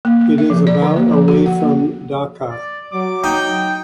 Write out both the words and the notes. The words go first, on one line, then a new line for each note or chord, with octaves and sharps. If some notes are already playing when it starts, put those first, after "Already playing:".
It is about away from Dhaka.
A#3
A#3
E5
F3
D5
D3
A#3
F3
F#4
F#5
A#3
D5
F#3 D6
D#4 G5